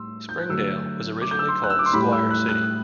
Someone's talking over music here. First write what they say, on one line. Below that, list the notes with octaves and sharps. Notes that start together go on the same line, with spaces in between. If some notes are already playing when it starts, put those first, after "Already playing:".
Springdale was originally called Squire City.
Already playing: A2 G3 C6 E6
G6
F#6
D3 F#3 A3 E6
D6
G6
E6
C6
F#6
E6
D6
C6
A2 G3 B5
E6
F#6
F#6